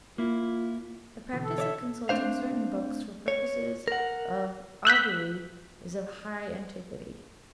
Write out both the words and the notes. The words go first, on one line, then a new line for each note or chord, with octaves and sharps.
The practice of consulting certain books for purposes of augury is of high antiquity.
A#3 E4 F4
B2 D3 E3
A4
C#5 D5 E5
A3 C4 D4 C5 F5
C#5
A#4 F#5
E6 F#6 G6 B6